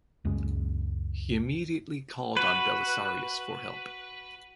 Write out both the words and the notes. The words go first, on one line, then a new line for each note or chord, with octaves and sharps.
He immediately called on Belisarius for help.
C#2 F#2 G#3
F#4 B4